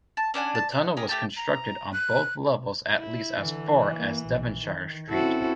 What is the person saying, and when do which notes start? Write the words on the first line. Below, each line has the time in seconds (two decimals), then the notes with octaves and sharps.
The tunnel was constructed on both levels at least as far as Devonshire Street.
0.17 A5
0.34 C#4 D4 F#5 G#5
0.55 A5
0.72 F#5
0.97 C#4 G4 G#4 A#4
1.09 A3 G4 G5 A5
1.37 A#5
1.93 F#6
2.97 E4
3.41 D3 E3
3.96 A#3
4.27 A#1
4.63 D#3
5.09 C4 C#4 E4 F#4 A4